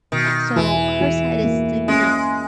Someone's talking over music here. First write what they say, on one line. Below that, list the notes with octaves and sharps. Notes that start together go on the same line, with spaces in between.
So, her side is the, you know
B2 D#3
E2 E3
E2
A#3
G#3 C#4